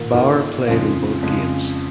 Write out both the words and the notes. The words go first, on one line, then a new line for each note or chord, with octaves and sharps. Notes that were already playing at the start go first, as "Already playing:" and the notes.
Bauer played in both games.
Already playing: G#2 D#3 A#3 F4
G#2 D#3 A#3 F4
F2 C#3 F3 G#3 F5
F2 C#3 F3 G#3